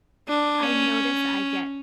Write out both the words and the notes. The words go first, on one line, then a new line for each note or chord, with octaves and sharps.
I noticed I get
D4
C#4